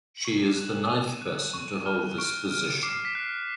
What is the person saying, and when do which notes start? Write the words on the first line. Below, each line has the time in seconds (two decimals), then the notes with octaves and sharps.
She is the ninth person to hold this position.
0.17 F#7
0.24 C#6 F7
0.57 F#6 E7
0.89 C#6 D#7
1.22 F#6
1.53 C#6
1.86 F6
2.18 C#6 D7
2.51 F6
2.83 D6 C7
3.05 B6
3.15 F#6 C7